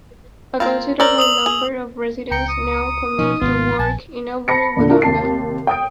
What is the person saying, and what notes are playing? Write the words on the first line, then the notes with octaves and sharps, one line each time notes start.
A considerable number of residents now commute to work in Albury-Wodonga.
A#3 C4 F4
A#4 C5 D5 E6 F#7
D#6 F7 F#7
G#4
C#2 G5 A#5 C#7
D#6
B2 F3 C#4 D#4
G#1 G#2 C3 B3 F4
A#1 G#5 A5
A5 B5 A#6 C#7
E2 A#2 D3
D4 E4 F4 A#4
D#2 C3 A5 C7
G5 D#6 D7